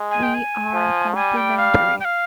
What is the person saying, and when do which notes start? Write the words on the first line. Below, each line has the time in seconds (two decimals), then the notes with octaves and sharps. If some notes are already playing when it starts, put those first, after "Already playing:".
We are complementary.
Already playing: G#3
0.11 G#5
0.23 G5
0.34 G#5
0.74 F3
1.15 G3 G#5
1.37 G5
1.58 F5
2.00 G5
2.05 F5